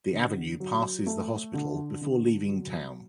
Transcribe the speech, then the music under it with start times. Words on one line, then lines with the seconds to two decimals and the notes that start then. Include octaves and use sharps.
The avenue passes the hospital before leaving town.
0.12 D3
0.60 F#3
1.06 A3
1.54 D3
2.01 D3
2.48 F#3